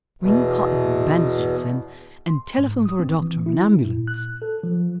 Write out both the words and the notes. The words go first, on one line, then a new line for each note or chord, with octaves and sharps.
"Bring cotton and bandages, and--and telephone for a doctor, an ambulance!"
E2 B2
C6
G#2
D#6
C4
E3
E4
A#2
F#6
A4
F3